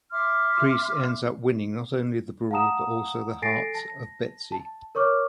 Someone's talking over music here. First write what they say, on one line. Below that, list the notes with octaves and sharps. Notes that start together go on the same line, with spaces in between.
Kreese ends up winning not only the brawl but also the heart of Betsy.
E5 C6 D6 F6
F5 F#5 A5 A#5 D#6 E7
A4 G#5 A6 A#6 C7 D7
A5 A#6
A5
A#4 C#5 C#6 D6 F6